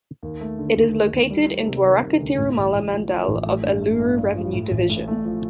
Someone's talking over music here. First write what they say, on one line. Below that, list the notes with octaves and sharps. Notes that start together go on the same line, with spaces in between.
It is located in Dwaraka Tirumala mandal of Eluru revenue division.
D#2
A3
D3
D#2
A3
D#2
G3
D#3
C3
D#3
C3
D2
A2
A1
A2
F3
F3
A1
A3
G2
A3
G2
G2
F3
A2
A1
A2
A3
F3